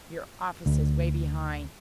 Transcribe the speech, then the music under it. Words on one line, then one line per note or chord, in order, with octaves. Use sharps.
Your office is way behind.
D2